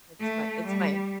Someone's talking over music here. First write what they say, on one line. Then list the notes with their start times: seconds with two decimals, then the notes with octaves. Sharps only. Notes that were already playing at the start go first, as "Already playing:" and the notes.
It's my it's my
0.20 A3
0.67 G3